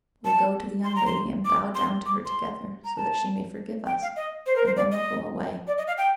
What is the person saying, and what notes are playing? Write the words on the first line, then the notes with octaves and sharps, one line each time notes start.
We'll go to the young lady and bow down to her together, so that she may forgive us, and then we'll go away.
A5
C6
A#5
C6
D6
C6
D6
C6
A#5
A5
G5
F5
D#5
C5
A#4
C5
D5
D#5
D5
D#5
F5
G5